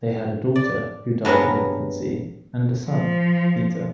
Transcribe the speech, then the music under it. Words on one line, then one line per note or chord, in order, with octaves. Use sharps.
They had a daughter who died in infancy, and a son, Peter.
D5
G2 F#3 B3 G#4 A#4
F3